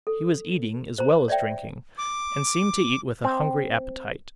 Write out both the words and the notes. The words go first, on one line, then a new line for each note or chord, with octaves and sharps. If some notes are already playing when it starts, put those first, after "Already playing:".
He was eating as well as drinking, and seemed to eat with a hungry appetite.
A4
C5 A#5
C#5 D5 E5 G5
D6
C4